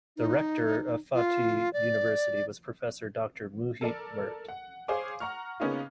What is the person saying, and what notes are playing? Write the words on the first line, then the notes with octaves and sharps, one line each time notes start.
The rector of Fatih University was Professor Doctor Muhit Mert.
D#4
F4
D5
A4 A#4 D5 A5
F#5
G#4 C5 C#5 F5 G#5 D6
F#5 A#5 C#6 F6
C#3 A#3 B3 C#4 D#4 F4